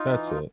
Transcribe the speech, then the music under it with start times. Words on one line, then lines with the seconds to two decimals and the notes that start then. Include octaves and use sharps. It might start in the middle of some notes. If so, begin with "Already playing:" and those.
That's it.
Already playing: D#4 F4
0.09 E3
0.26 G2